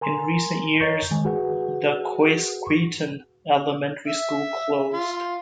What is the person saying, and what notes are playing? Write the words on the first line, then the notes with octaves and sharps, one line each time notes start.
In recent years, the Quasqueton Elementary School closed.
A#4 G#5 A#5 C6
A#4 C#5 D#5 A#5 C#6 G6
D#3 G#3 G#5
F#4 G#4 B4 F#5
E5
F4